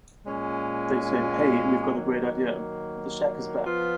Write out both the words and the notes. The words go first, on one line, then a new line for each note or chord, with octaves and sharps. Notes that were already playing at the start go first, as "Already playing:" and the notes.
They said, Hey, we've got a great idea: 'The Shack is Back!
A#2 G#3 C#4
D#3 F#3 A#3
F3 B3 F4